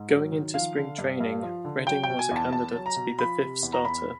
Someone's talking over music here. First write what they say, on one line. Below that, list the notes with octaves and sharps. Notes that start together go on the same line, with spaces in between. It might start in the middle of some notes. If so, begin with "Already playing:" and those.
Going into spring training, Redding was a candidate to be the fifth starter.
Already playing: G#2
F#3
D#3
F3 F5
D3
G2
G2
F3
D3
F#3 G5
G5
B2
G#5
E2 A5
E2 A5
F#3
A#5
B2
F3 B5
C3
E2
A#5
E2 B5